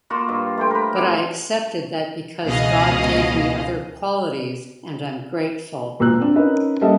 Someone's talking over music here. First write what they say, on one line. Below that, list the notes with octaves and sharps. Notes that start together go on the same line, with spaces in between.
But I accepted that because God gave me other qualities and I'm grateful.
A#3 F4 F#4
G2
A3 C5 G5
A#4 B4
A2 C3 D6
C#2 B2 E3 G#4 D#5 F5
E1 A#2 A#5 E6 F#6
C4 D4
C#4 D#4 A#4 B4
G3 A#3 C#4 A4 D#5 E5